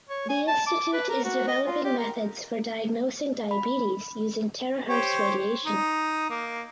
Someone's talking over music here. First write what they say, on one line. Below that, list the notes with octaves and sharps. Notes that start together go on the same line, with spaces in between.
The institute is developing methods for diagnosing diabetes using terahertz radiation.
C#5
G#5
A5
D6
B4
A#4
F#4
D#5
F4
G4
A#4
B5
G4 C5 C#5
D#4
A#3